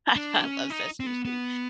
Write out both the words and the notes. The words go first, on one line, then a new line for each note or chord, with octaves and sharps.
I I love Sesame Street.
D4
C#4
D#4
C4
B3
B3